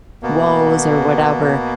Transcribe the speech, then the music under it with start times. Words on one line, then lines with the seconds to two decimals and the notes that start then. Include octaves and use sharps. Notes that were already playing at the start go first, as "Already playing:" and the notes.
woes or whatever.
0.23 B2 A#3 B3